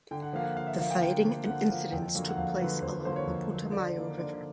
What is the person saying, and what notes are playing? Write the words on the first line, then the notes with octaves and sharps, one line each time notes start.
The fighting and incidents took place along the Putumayo River.
D3 G5
F#5
F3 A#3 F5
F#5
D3 F5
E5
F3 A#3 F5
G5
D3 G5
F3 A#3
D3 F#5
F3 A#3
F2 G5
D3 F#3 A#3
F#5
F2 F5
D3 F#3 A#3 B4
F2 C5
D3 F#3 A#3 C5
C#5
F2
D3 F#3 A#3
D3 D5
F3 A#3 D#4
D3 D5